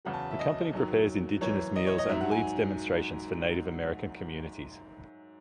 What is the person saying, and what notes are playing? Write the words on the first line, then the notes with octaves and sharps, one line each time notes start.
The company prepares Indigenous meals and leads demonstrations for Native American communities.
E2 C#3 F#3 F#5
A5
E5
D#5
F#2 D#3 F#3
F#2 E3 C#5
D#5
C#5
D#5
G#2 F#3 E5
F#5
G#5